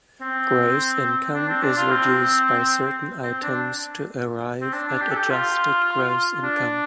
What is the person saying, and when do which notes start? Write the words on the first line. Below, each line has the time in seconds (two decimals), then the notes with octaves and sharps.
Gross income is reduced by certain items to arrive at adjusted gross income.
0.21 C4
1.34 D4
1.49 C4
1.63 D4
1.77 F4
1.91 C4
3.23 C4
3.42 D4
4.61 C4
4.73 D4
4.88 D4
5.01 G4
5.11 A4
5.16 G4
5.31 F4
6.43 D4